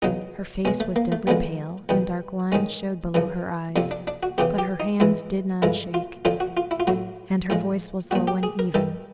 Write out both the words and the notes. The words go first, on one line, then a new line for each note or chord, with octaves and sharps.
Her face was deadly pale, and dark lines showed below her eyes, but her hands did not shake, and her voice was low and even.
E2 C#3 F#3 D#4
B2 G#3 C#4
A3
A#3
A3
F#2 D3 F3 G#3 B3
E2 B2 G3
G#2 D#3 G#3 C#4
F#2 C#3 E3
F2 C3 F3 D4
D4
D4
F#4
E2 C#3 E3 G4
G4
D#4
G#2 E3 G#3 E4
G2 D3 F3 G#3 E4
F4
F2 D3 F3 F4
F#4
F4
E4
F4
A2 F#3 F#4
A2 F3 G#3
A#2 G3 F#4
G4
G#4
A#4
G2 D#3 G3 A4